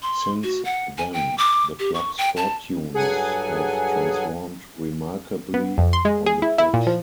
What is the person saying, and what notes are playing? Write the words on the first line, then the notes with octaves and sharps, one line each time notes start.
Since then, the club's fortunes have transformed remarkably on the pitch.
C6
F#4
F#5
G#5
G5
D6
G4
C#6
G5
A5
G2 F#3 G#4 A4 F#5 G#5
B3
F2
C6
G#3
G#4
E4
E4
A#2
F3